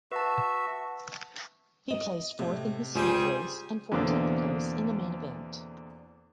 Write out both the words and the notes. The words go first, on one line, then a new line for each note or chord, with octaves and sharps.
He placed fourth in his heat race and fourteenth place in the main event.
F#4 B4 E5 A5
D#5
A2 C3
C#2 G3 F4 G#4 C5 G5 G#5
E2 B2 D3 A#3 C4 D4